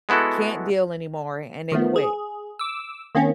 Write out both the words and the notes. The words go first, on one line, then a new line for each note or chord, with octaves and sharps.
can't deal anymore, and they quit.
G#3 B3 E4 F#4 A4
D#3 F3 A3 B3
G#4
D6 E6
D#3 A#3 C4 C#4